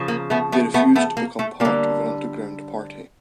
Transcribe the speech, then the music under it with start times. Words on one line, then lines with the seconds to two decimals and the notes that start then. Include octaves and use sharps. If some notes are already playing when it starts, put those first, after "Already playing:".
They refused to become part of an underground party.
Already playing: C#3 F3
0.08 A#3
0.30 A3 B3
0.52 A3 B3
0.74 A3 B3
0.96 A3 B3
1.17 A#3
1.39 A3
1.60 D3 G3 A#3